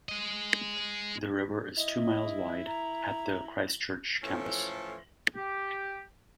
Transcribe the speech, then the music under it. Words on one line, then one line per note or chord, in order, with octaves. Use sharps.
The river is two miles wide at the Christchurch campus.
G#4 D#5
E4 D#5
A#5
A2 E3 F3 C#4 A4
G4